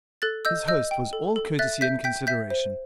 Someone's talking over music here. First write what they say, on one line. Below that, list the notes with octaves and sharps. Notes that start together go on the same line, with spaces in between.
His host was all courtesy and consideration.
A4 F#6 A6
D#5 E6 G6
D#5 E6 G6
G5
A4
A4
E5 F#6 A6
E5 G6 B6
G5 G6 B6
E5 G6 B6
C5